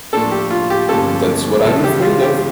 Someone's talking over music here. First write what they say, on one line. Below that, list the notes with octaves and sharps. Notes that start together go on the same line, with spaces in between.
That's what I'm afraid of.
A2 F3 A#3 D4 A4
G4
F4
G4
G1 G2 F3 A#3 C#4 A4
C#2 C#3 E3 A4
G4
F4
G4